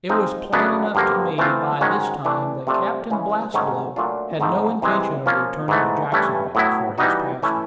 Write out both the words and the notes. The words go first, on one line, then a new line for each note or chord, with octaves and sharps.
It was plain enough to me by this time that Captain Blastblow had no intention of returning to Jacksonville for his passengers.
F3 G#3 C4 D#4
F#2 C#3 F#3 B3 D4
G2 D3 F3 A#3
E3 A3 C4 F4
G#2 D#3 G#3 C#4 F#4
E3 A3 D4
C3 F3 A3 D4
C#3 E3 G#3 C#4
G#2 D#3 F#3 A3 C#4
A#2 F#3 A3 D4 F4
G#2 F3 A3 C4
C3 E3 G#3
F3 A#3 C#4 F4
G#2 E3 A3
G2 E3 A3 C#4 E4
A2 F#3 B3 E4
E3 G3 B3 D#4 F#4
E3 A3 C#4 E4